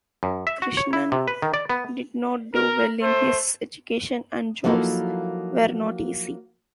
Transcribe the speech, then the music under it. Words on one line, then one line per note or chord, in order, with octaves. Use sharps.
Krishnan did not do well in his education and jobs were not easy.
F#2
E5
F#4
C#5
E4
C3
B4
D#3
D5
B3
A#4
A3 C5
F3 F#3 A#3 D#4 E4 A4